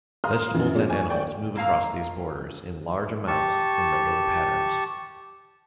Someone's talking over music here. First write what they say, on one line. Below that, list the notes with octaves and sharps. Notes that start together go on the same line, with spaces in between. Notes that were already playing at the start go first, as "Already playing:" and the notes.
Vegetables and animals move across these borders in large amounts in regular patterns.
F5 A#5 C6 D#6 F6
F#2 E3 F3
G#3 A#3 D4 F4 C#5
G#5 C#6
A3 D5 G5 C#6
F2 A#3 F5 A#5
G4 A5 C#6